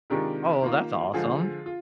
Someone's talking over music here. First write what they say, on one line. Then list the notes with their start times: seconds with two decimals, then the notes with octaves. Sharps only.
Oh, well that's awesome.
0.10 C3 D#3 G#3 D4 F4 G4 A#4
0.62 D#3 A#3 F4
1.14 D3 F3 G#3 F4 G#4
1.66 F4